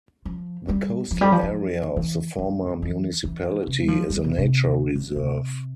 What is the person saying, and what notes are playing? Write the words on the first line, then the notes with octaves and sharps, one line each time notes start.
The coastal area of the former municipality is a nature reserve.
F3
G3
F3
G3
F3
F3
E3
F3
E3
E3
C3
G3
F3
G3
B2
C3
D3
C3